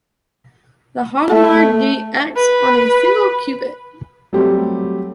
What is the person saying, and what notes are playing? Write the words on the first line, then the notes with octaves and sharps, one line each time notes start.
The Hadamard gate acts on a single qubit.
A3
B4
F#3 G3 A3 C4 G4